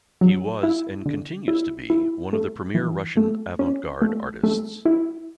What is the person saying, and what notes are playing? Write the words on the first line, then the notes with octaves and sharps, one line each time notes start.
He was and continues to be one of the premier Russian avant-garde artists.
F#3
E4
D3
E4
E4
A3
E3
A3
C#4
A3
A3
E4